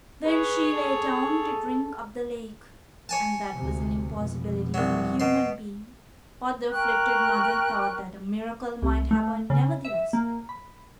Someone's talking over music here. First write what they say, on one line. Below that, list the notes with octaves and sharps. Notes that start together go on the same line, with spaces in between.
Then she lay down to drink up the lake, and that was an impossibility for a human being, but the afflicted mother thought that a miracle might happen nevertheless.
G#4 B4 C#5
A4
C#5 G#5 A5
D2 C3
F1 B2
C2 F#3
B2 C6
A#4 G5 C#6 F#6
C2
A3
C#3
E5
A#3
B5